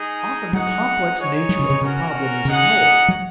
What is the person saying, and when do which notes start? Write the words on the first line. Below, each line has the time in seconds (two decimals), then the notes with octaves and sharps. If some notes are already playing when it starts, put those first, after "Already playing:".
Often the complex nature of the problem is ignored.
Already playing: G#3 D#4 G#4
0.53 F#3 D#4 G#4 F#5
1.18 D#4 G#4 C#5
1.49 F#3
1.59 C#3
1.70 C#3
1.81 C#3 C#4 F#4 A#4 F#5
2.45 C#3 D#4 G#4 F#5
3.08 F#3